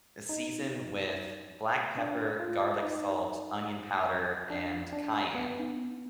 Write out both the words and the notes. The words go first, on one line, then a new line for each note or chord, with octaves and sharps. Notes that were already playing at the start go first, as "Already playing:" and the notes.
Uh, season with black pepper, garlic salt, onion powder, and cayenne.
D#4
D4
F4
D#4
D4
D4
B3
D#4
D4
B3